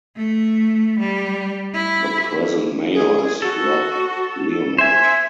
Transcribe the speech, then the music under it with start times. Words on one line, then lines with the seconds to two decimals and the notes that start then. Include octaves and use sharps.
The present mayor is Rob Leonard.
0.16 A3
1.00 G3
1.74 E4
2.93 G#4
3.42 F#4 A4
4.78 C5 E5 G#5